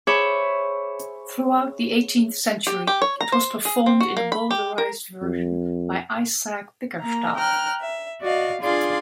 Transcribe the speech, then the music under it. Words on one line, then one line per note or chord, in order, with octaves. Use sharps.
Throughout the eighteenth century it was performed in a bowdlerized version by Isaac Bickerstaffe.
G#4 C5 C#5 E5 B5 D6
G4
G4
C#5
A#5
C5
G#4
C4
F#4
A#3
B5
G4
A#4
F2
A#3 A#5
G5 A#5 F6 F#6
E5
F#4 D5 D#5 F5
D4 F4 G#4 D5 F5 C6